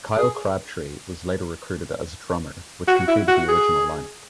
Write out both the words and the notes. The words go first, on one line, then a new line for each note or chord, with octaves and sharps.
Kyle Crabtree was later recruited as drummer which completed the original lineup.
G#4
F#4
E4
F#4
G#4